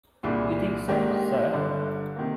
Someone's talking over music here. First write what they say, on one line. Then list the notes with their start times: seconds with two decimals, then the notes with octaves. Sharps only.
You think so, sir?
0.23 C2 A#2 G3 D4 G#4
0.88 G#2 D#3 A#3 D4 G4
1.52 G1 G2 D3
2.16 C3 D#3 A#3